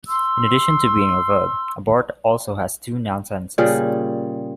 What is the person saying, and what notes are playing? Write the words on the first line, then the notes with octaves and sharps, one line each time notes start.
In addition to being a verb, abort also has two noun senses.
C6 E6
A#2 C#3 G3 G#4